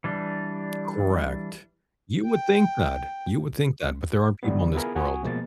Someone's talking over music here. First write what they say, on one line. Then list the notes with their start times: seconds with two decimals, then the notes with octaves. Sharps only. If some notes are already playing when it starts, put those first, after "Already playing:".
Correct. You would think that. You would think that, but there are people in this world
0.04 E3 G3 D4
2.25 G5
4.43 D3 E3 G3 B3
4.75 B3 E4 F4 G#4 A#4 B4
4.95 F#4 F#5 G#5 C#6 D#6
5.23 B2 F3 G#3 A#3 B3 A6